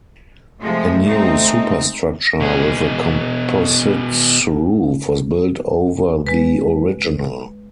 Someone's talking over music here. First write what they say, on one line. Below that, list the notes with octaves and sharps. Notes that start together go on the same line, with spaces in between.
A new superstructure with a composite roof was built over the original.
C3 F3 G#3 A3
G#3 C4 D#4
B2 G#4
G#3 B4